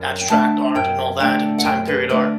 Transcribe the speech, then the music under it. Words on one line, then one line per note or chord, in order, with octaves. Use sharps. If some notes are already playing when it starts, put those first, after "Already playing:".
abstract art and all that and time period art.
Already playing: F#2
G5
D3 A3 D4 A5
F#2 G5
D3 A3 D4 G5
F#5
F#2 G5
B4
D3 A3 D4 B4